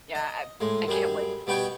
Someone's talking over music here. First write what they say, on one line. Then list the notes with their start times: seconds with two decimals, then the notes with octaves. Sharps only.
Yeah, I I can't wait.
0.15 D#5
0.60 A2 G#3
0.87 F#2 G3 G#4
1.47 B2 G3 B3 G5 G#5 C#6